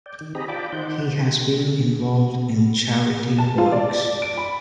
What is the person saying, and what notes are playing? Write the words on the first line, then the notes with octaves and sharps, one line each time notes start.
He has been involved in charity works.
D5 G5
D#3
C4 G4 G#4 D#5 A#5 B5
F4 D5 G5 A5 B5 D6
D#3 D#4 C5 F#5 G6
A5
F4
D5
D7
B5